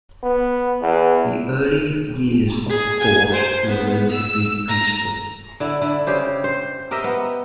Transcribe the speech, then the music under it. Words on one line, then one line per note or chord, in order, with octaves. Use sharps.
The early years of the fort were relatively peaceful.
B3
E2
G#4
G#5
C5
B3
E6
A#5
D3 E4
D3 E4
C#3 G4 C5
C5
G4 A#4 D#5 E5
B3